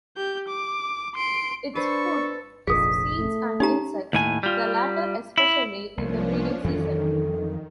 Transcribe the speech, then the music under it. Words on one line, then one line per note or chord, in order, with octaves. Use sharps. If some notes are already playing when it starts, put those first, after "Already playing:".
Its food is seeds and insects, the latter especially in the breeding season.
G4 G6
D6
C6 D7
D4 A4 B4 C5 C#6
F1 A#1 F2 G#4 D#6 B6
A3
C#4 D#4 G4 A#5
D#2 A2 G#5
G3 F4
E4
C2 F3 A#3 C#4 D4
F2 D#3 E3 F#3 A4